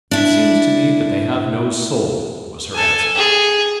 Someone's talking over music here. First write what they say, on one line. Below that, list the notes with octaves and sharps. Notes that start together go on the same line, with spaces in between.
"It seems to me that they have no soul," was her answer.
D4 E4
A4 G#5
G#4